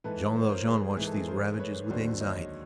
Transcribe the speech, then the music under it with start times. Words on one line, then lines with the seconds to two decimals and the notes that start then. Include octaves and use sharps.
Jean Valjean watched these ravages with anxiety.
0.04 G#2 E3 A4 B4
0.35 C5
0.42 C#5
0.49 A#4 C5
0.66 G#4
0.97 G#2 E3 G#4
1.07 A4
1.17 G#4
1.28 A#4 C5
1.59 B4 C#5
1.90 D#2 D3 F#3 C5 D5
2.21 C#5 D#5